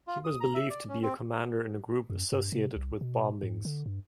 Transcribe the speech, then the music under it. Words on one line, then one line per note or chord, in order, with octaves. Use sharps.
He was believed to be a commander in a group associated with bombings.
F4
D#6
A#5
E5
D5
C#4
C4
F#2
G2
C3
C2
B2
G#2
D3
G2